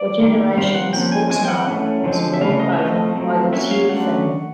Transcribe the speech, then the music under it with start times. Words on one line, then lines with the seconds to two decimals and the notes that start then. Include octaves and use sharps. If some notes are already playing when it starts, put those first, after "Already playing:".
For generations Uxmal was ruled over by the Xiu family.
Already playing: D5
0.20 D#3 G3 A#3
0.57 D#3 G3 C4 F5
0.75 F#5
0.93 F3 A#3 C#4 G5
1.12 G#5
1.30 E3 G#3 C4 G#5
1.45 G5
1.48 F#5
1.68 E3 A3 C#4
2.04 D3 F3 G#3 C4
2.34 E5
2.41 C#3 E3 A3 C#4 F5
2.60 D#5
2.72 E5
2.78 F3 A3 C4 D#5
3.15 F#3 A3 C4
3.53 F#3 A#3 C#4 E5
3.71 F5
3.89 D3 F#3 A3 C#4 F#5